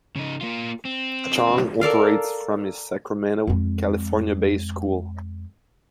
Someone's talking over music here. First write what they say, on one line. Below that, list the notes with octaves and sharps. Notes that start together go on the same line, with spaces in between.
Chong operates from his Sacramento, California-based school.
C#3 D#4
A#3 F4
C4
A4 A#4 D5 F5
F2 G#3